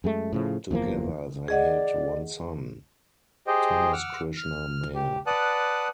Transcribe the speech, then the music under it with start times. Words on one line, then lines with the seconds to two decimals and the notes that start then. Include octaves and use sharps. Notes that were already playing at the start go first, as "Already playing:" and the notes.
Together they had one son, Thomas Krishna Mair.
0.04 F#2 G#3 A3
0.32 A2 C#3 F3
0.71 F#1 E2 F3 A#3
1.48 G#4 D5 D#5 F#5
3.47 G4 G#4 C5 D#5 G5
3.93 F#5 D6 E6 F6
4.37 F6
4.95 G4
5.27 B4 D5 F#5 A5 D#6 F#6